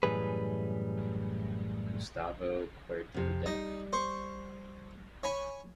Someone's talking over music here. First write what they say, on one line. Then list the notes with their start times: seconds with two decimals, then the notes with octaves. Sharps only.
Gustavo Kuerten def.
0.03 F#2 A2 E3 G3 G#4 B4
3.14 F2 C3
3.46 G3 D#4
3.93 C5 C#6
5.23 C#5 G#5 B5